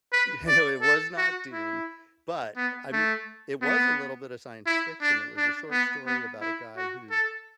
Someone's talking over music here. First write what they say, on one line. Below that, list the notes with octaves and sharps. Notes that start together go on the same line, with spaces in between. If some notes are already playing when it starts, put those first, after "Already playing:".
No, it was not Dune, but, I mean it was a little bit of science fiction, it was a short story about a guy who
B4
D5
A4
F#4
E4
B3
A3
B3
E4
D4
D4
B3
B3
E4
F#4
A4